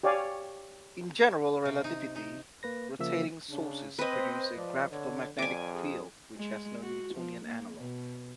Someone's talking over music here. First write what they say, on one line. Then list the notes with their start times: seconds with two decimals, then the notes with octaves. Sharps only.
In general relativity, rotating sources produce a gravitomagnetic field which has no Newtonian analog.
0.03 G4 C#5 D5 F5 G#5
1.65 C3
1.84 D#4
2.16 D#4
2.63 A#3 B4 A#6
2.99 C#3 F3 A#3 E5 E6
3.49 C#3 D4
3.98 C4 B4 C5 D#5
4.56 F3 D5
4.91 D3 C#5
5.39 F2 D5 G#5 D6
5.74 G#4
6.36 G#3
6.82 F#4
7.14 F3
7.45 A#3
7.77 B2